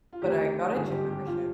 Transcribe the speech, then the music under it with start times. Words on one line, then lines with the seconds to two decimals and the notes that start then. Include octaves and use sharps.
But I got a gym membership.
0.13 F4
0.22 D2 C3 D#3 G4
0.74 G#1 G2 D3 F3 G#4
0.91 G4
1.09 G4
1.27 G2 F3 F4